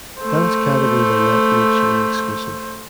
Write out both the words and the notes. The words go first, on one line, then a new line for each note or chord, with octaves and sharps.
Dance categories are not mutually exclusive.
A3 C5